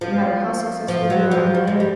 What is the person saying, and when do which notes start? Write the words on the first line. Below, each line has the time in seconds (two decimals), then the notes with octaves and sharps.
no matter how successful you are in life,
0.01 F3
0.88 F3
1.10 F#3
1.31 F3
1.54 G3
1.67 G#3
1.80 G3